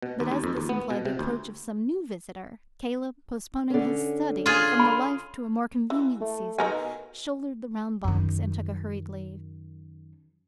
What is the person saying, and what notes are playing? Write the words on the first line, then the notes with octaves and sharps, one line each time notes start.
But, as this implied the approach of some new visitor, Caleb, postponing his study from the life to a more convenient season, shouldered the round box, and took a hurried leave.
B2
D#2
D#2
F2
D#2
B3
B2
C3
D2
D3 C#4
F4 G#4
B5
E3
A3
B2 D#3 A#4 G#5
F#2 D#3